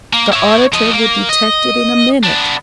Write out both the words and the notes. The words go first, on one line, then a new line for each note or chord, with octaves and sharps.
The auditor would detect it in a minute.
A#3
E4 C#5
F3 D#5
A#3
D#5
B3 D4